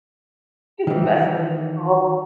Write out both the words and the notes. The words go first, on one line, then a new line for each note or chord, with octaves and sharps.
Just mess with people.
D#3 E3